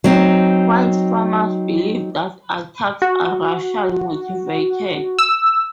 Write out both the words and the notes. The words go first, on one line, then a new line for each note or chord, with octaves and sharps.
White farmers believe that attacks are racially motivated.
F#3 C4 D#4
F#4
E6